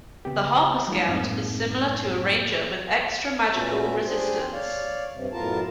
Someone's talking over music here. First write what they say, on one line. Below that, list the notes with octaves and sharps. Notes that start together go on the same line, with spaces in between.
The Harper Scout is similar to a Ranger with extra magical resistance.
C#3 B3 G4
E3 F#3 G3 A3 D#4 F4
F#2 A2 G#3 A#3 C4 D#4
A#2 B3 C#4 F#4 E5
D4 G4 G#4 C5
C#5 D5 F5
G2 C3
F#2 A2 B3 F4 A#4 A5